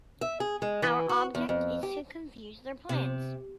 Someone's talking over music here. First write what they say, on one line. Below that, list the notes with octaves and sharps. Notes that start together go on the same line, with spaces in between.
Our object is to confuse their plans.
E5
G#4
G#3
E3
F#4
E2
F2
G4
C3